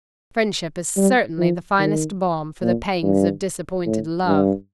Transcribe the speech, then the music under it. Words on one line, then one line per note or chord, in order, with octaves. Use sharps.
Friendship is certainly the finest balm for the pangs of disappointed love.
G3
F3
D#3
A#2
G2
A2
G2